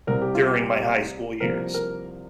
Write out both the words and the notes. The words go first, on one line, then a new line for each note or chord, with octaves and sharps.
during my high school years.
C2 C3 G3 C4 A#4
G4
F4
G4
C2 C3 F3 A#3 A#4
A#4